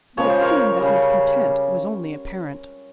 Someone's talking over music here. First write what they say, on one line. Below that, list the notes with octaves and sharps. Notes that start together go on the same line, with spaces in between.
But it seemed that his content was only apparent.
C#3 F3 G#3 C#5
C5
A#4 C#5
C#3 G3